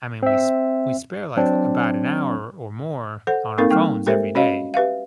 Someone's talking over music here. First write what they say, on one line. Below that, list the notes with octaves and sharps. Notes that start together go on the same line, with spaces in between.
I mean, we s we spare, like, about an hour or more on our phones every day.
C4 E5
F#3 C4 D4
A4 C5 F#5
A#3 C4 D#4 A4 A#4 F5
G3 A#3 D#4 G5
G#3 G4 A4 A#4 C5 E5
C#4 F#4 C#5 D#5 F5
G4 B4 E5 F5